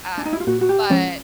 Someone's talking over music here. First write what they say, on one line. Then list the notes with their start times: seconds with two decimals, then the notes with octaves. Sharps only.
um, but
0.18 D4
0.25 D#4
0.33 E4
0.40 F4
0.47 A#2 F#4
0.61 F#4
0.69 G4
0.90 F3 G#3 C#4